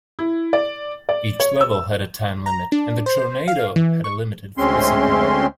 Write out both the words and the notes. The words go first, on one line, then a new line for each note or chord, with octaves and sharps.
Each level had a time limit, and the Tornado had a limited fuel supply.
E4
D5
D5
C#5
E6
A#5
D4
C5
F5
E3
C#6
D2 G#3 C4 C#4 C6